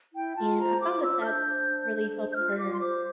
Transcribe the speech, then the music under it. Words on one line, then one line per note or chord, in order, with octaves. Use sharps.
and I found that that's really helped her
E4 G5
F4 A5
C5 A#5
F4 D6
C5 E6
F6
D4 G6
C5
D4
D4
C5
G6
F4 F6
F4 D6
C6
C5 D6